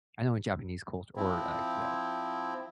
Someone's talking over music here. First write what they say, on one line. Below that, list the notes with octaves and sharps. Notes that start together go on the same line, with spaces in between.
I know in Japanese culture or, like, uh
F3 C4 E4